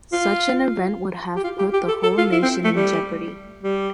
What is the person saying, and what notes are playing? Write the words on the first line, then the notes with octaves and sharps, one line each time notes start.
Such an event would have put the whole nation in jeopardy.
F4
G4
F4
G4
G4
A4
A4
F4
E4
C4
A3
G3
G3